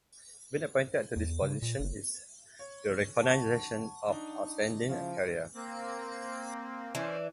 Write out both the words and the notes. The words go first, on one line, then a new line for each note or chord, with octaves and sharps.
Being appointed to this position is the recognition of an outstanding career.
E2
C#3
A#2
F#1
C#5
F#5 A5 C#6
D4 D#4
C#3 F3 E4
A#3 C4
E3 C#4 D4 C5